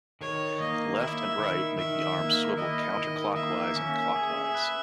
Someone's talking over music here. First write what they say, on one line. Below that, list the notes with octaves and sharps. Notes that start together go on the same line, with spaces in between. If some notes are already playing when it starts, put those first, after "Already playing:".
Left and right make the arms swivel counter-clockwise and clockwise.
D#3 C#5
A#3 D#5
E4 E5
D#3
D#3 E5
A#3
E4 D#5
D#3
A#3 E5
C#4
G#4
B4